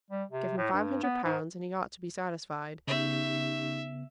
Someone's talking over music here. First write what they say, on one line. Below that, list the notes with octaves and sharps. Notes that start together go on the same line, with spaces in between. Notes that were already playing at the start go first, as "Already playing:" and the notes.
Give him five hundred pounds, and he ought to be satisfied.
G3
C3
A2
G2
B3
G#2
C#3 B3 C#4 D#4 G4 E5